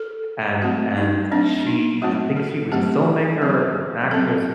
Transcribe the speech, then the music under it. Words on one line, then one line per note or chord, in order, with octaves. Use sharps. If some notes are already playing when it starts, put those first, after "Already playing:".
And and she I think she was a filmmaker, an or an actress,
Already playing: A4
F#3 A3 C4 F#4
D#4
F#3 A3 C4 D4
D#4
F#3 A3 C4 F#4
A4
F#3 A3 C4 G4
F#3 C4
F#3 C4 A4